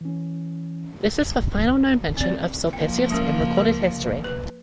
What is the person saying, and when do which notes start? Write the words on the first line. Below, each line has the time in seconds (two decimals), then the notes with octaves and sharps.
This is the final known mention of Sulpicius in recorded history.
0.01 E3 C#4
2.17 C4 D5
2.73 F3 A#3 G5
3.10 G#3 C#4 A#4
3.57 A#4
4.24 B4